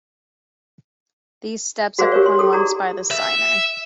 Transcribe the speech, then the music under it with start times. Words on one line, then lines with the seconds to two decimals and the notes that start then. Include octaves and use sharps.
These steps are performed once by the signer.
1.99 F#4 G#4 A#4 C5 D5 F5
2.12 G4 A#4 C#5
2.26 C6
2.39 G4 A4 D#6
2.53 E4 F#4 G#4 D5 A#5
3.11 E5